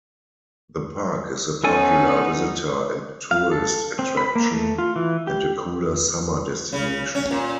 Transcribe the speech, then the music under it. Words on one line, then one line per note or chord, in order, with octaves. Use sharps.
The park is a popular visitor and tourist attraction, and a cooler summer destination.
B3 C#4 D#4 A4 G#5
F5
A4
C4
B5
A#3
A3
F4
E3
G4
C#3
C#4
A#2